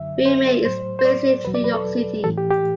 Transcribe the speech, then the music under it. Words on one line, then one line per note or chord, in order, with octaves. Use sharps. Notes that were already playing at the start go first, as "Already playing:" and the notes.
Veihmeyer is based in New York City.
Already playing: F#2 D3 F#3 E5
C5
A2 F#3 C5
C5
D5
E2 B2 F#3 B4
D5
B4
A4
A2 E3 A4
G4
G4